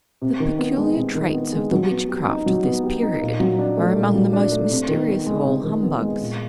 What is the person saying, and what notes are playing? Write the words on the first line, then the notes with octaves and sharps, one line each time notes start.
The peculiar traits of the witchcraft of this period are among the most mysterious of all humbugs.
C3
D#3
B3
G#3
C3
D#3
B3
G#3
F#3
B3
G4
D#4
F#3
B3
G4
D#4
A#2
F#3
D4
A3
A#2
F#3
D4
A3
C3
D#3
B3
G#3
C3
D#3
B3
G#3
A#2